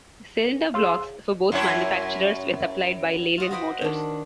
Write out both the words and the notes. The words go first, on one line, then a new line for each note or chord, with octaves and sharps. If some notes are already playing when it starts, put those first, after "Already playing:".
Cylinder blocks for both manufacturers were supplied by Leyland Motors.
E4 G#4 C#5 F5 C6 E6
F#2 E4 C#5
F4 F#4 D#5
F#4 B4 C5 D#5 F#5 G5
D#3 D4